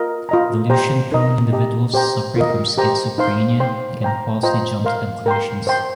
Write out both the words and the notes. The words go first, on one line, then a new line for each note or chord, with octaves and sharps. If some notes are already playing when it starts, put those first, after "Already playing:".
Delusion-prone individuals suffering from schizophrenia can falsely jump to conclusions.
Already playing: F4 A#4 D#5
F4 D#5 A#5
G4 C5 G5 A#5
D#4 A#4 D#5 A#5
G4 D#5 A#5
G4 C5 G5 A#5
F4 A#4 D#5
G4 C5 G5 A#5
D#4 C5 F5 C6
C5 G5 C6
C5 G5 A#5
F4 C5 D#5 G5 A#5
A#4 F5 C6
A#4 G5 C6
C5 G5 C6